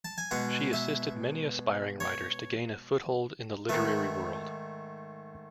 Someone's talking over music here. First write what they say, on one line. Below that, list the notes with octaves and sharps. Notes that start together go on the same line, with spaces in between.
She assisted many aspiring writers to gain a foothold in the literary world.
A5
G#5
B2 G#3 B3 F#5
E5
C#5
G#2 D#3 A3 B4